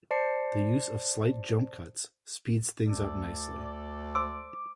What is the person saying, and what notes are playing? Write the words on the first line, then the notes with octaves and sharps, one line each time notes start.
The use of slight jump cuts speeds things up nicely.
C5 D5 A5 C7 C#7
D2 A4 D5
C5 C6 D6 E6